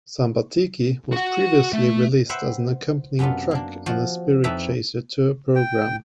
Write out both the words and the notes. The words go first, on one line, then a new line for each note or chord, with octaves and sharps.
"Sambatiki" was previously released as an accompanying track on the "Spiritchaser" tour programme.
F#4 F#5
A3
B4 C5 E5 F#5 G5
F#2 C3 B3 D4 F4
A#3 D4
F3 F#4
F2 F3 D#4 E4 B4 E5
G5